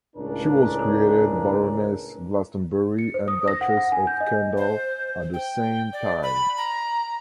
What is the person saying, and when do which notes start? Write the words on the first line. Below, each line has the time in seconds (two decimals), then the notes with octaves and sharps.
She was created Baroness Glastonbury and Duchess of Kendal at the same time.
0.15 C#2 A2 C#4 D4 A#4 B4
2.99 C#7
3.14 C5
3.28 D#6
3.48 A#6
3.61 F#5
3.77 F#5
3.92 G#5
4.07 G6
4.20 D#5
4.57 C5
5.34 G5
5.93 D5
6.23 B5
6.57 A#5